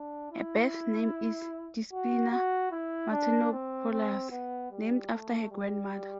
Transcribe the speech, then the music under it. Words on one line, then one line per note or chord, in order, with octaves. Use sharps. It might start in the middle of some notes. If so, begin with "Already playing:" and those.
Her birth name is Despina Matenopoulos, named after her grandmother.
Already playing: D4
E4
F#4
F#4
E4
D4
C4
C4
B3
G3
A3
G3